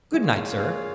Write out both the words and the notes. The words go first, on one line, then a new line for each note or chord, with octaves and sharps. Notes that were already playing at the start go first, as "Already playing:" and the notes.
Good-night, sir.
G#3 F4 G#4 C#5 F5
A#3 A#4
G#3 G#4